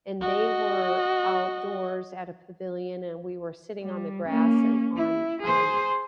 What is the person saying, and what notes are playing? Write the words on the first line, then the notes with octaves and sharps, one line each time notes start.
and they were outdoors at a pavilion, and we were sitting on the grass and on, um,
F#4 D#5
G3
A#3 C#4
E4
G#4 C5